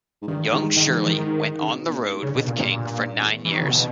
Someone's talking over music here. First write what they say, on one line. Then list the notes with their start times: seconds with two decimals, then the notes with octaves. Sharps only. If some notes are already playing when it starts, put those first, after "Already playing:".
Young Shirley went on the road with King for nine years.
0.22 G#2
0.28 G2 D#3
0.53 G#2 D#3
0.76 G#2 D#3
0.93 E3
1.02 G#2
1.09 D#3
1.26 G#2
1.50 D#3
1.62 C#3
1.74 B2
1.90 A#2
1.99 G#2
2.23 G2 C#3
2.35 B2
2.47 A#2
2.60 A#2
2.71 A#2
3.12 G2
3.20 E2
3.45 E3
3.53 D#3
3.61 C#3
3.69 B2